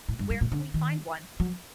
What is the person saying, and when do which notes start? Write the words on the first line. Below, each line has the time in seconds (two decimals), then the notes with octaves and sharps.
Where can we find one?
0.09 A2
0.19 G2
0.30 G2
0.41 A#2
0.52 D3
0.74 D#3
1.40 F#3